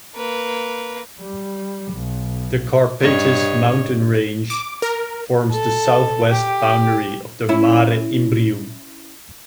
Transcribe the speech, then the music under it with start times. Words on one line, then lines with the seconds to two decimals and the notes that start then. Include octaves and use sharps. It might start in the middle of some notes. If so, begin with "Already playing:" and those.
The Carpatus mountain range forms the southwest boundary of the Mare Imbrium.
0.16 A#3 B4
1.20 G3
1.93 B1
3.01 G2 C#5 D#5
4.50 D6
4.82 A#4
5.51 A4
6.29 G4
7.49 C#4 E4